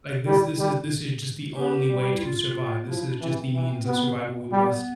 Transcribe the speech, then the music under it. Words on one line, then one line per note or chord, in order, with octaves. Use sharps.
Like, this this is this is just the only way to survive. This is just the means of survival we must
G3 E4
G3
B3 G4
G3
E4
F4
F3 E4
D4
E3 C4
E3
B3
G3 B3